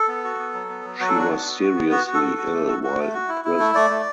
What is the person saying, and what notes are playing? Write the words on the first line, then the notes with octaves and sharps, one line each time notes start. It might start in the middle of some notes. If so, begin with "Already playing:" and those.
She was seriously ill while in prison.
Already playing: A4
B3
F#4
B3
F#3
B3
F#3
F#3 F#4
A4
D4 F#4
B3
F#4
F#4
B3
F#4
F#4
A4
F#4
F#4
A3
F#4
F#4
A3
F#4
E4
E4
A3
A3 D5
A3